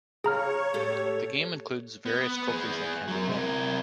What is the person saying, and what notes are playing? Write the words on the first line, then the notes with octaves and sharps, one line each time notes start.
The game includes various trophies that can be won.
C#3 G#4 C#5 A#5 F6
A2 G4 A4
B3
B3 G#4
F#3 A#4
C3 A#4